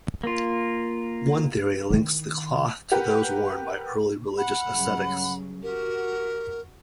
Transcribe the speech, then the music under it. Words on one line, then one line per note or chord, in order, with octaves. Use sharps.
One theory links the cloth to those worn by early religious ascetics.
A#3 F4
D#3 E4
G4 A#4 B4 F#5
F#5 B5
G2 C#3 F#3
F#4 G4 A#4